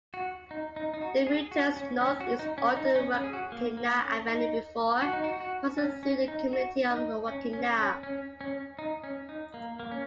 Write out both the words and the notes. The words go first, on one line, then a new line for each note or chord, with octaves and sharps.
The route turns northeast onto Waukena Avenue before passing through the community of Waukena.
F#4
D#4
D#4
D#4
F#4
G#4
F#4
C#4
C#4
F#4
D#4
C#4
D#4
C#4
C#4
G#4
F#4
A#3
A#3
C#4
D#4
F#4
D#4
F#4
F#4
C#4
C#4
D#4
F#4
D#4
C#4
C#4
C#4
C#4
C#4
D#4
C#4
D#4
A#3
A#3
C#4